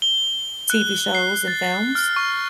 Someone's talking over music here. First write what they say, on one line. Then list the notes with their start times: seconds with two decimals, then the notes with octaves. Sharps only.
TV shows and films.
0.02 G7
0.70 F#6
1.15 C7
1.48 A6
1.95 F6
2.16 C#6